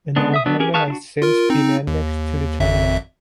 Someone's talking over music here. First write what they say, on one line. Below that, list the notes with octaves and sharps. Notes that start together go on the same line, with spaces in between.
An old hangar has since been annexed to the terminal.
C#3 G#3 B3 D4
E5 D#6
F#3 B3 D4
C#4 G4 G#4 A#4
G#4 B4 F5 A5 C#6
D4 E4 F#4
F4 A#4
C4 D#4
D#2
G#1 F2 E5